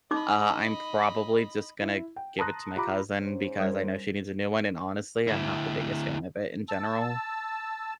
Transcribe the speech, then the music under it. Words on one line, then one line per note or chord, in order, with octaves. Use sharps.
uh, I'm probably just gonna give it to my cousin because I know she needs a new one, and honestly, I'm not the biggest fan of it in general.
D#4 D#5 B5 D6
E4
G5
A5 A#5 C6 D#6 F#6 A#6
F4 G4 A#5 B5 D6
G#2 C#4 C5
G3 A#4
D2 E4
A5 E6